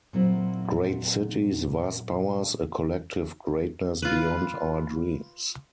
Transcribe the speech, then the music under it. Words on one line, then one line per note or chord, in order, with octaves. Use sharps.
Great cities, vast powers, a collective greatness beyond our dreams.
A#2 F#3 C4 E4
F4 B4